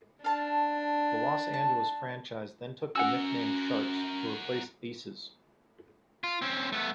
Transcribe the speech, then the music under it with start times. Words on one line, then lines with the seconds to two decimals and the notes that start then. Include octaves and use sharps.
The Los Angeles franchise then took the nickname Sharks to replace Aces.
0.24 D4 F5 A5
1.54 A5
2.96 C#4 F#4 A#4 F#5 G#5 E6
6.24 F4
6.42 C4 C#4
6.72 A3 B3